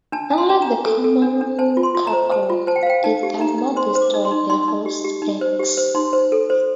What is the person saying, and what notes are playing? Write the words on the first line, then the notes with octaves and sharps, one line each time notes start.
Unlike the common cuckoo, it does not destroy the host's eggs.
D4 A5
D4
C6
D4
A#5
D4
A4
A4
D4
D4
C5 A5
F4
C6
F4
A#5
C5
C5 A5
F4
C5 A5
G5
F5
C5 G5
D#4 A5
G4
D#4 A#5
D#4
C5 C6
C5
D6
D#4
C6
D#4
D#4 C6
D#4
G4
G4
D#4
C5
G4
C5
D#4 C6
C5
A4
C5